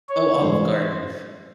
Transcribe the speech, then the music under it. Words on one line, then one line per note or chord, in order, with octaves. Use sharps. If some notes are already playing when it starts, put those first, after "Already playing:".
Oh, Olive Garden.
C#5
G#2 E3 G3 C5